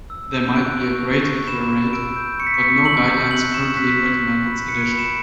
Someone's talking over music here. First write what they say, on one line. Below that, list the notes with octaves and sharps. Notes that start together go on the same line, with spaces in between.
There might be a greater cure rate but no guidelines currently recommend its addition.
E6
G6
F#6 D7
C#6
F#6
C#6
B5 E7
B5
E6 D7
G6
C#6 C#7
B6
C#7
C#6
E6 F#7
G6
F#6 F#7
C#6 E7
F#6 B6
C#6
F#6
B5
F#6 C#7
D7
B5
E7